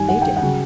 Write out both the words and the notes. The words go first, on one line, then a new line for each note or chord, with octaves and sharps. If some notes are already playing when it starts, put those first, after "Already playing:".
"They did."
Already playing: G2 D#3 G3 G#5
F#5
G5
F#5
C#3 F#3